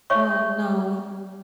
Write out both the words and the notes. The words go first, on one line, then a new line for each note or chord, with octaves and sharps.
Oh, no, w
C#5 E5 C#6